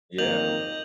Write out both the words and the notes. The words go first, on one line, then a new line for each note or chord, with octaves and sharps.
Yeah, like
F2 D#3 A#3 D#5 G6 F7 F#7